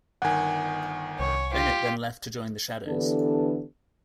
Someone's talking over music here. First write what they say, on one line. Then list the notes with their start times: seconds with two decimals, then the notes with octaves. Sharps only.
Bennett then left to join the Shadows.
0.22 G1 D#3 F#5 G#5
1.20 C2 C#5
1.53 F4 G4
2.86 D3 E3 B3 D4 G4 A4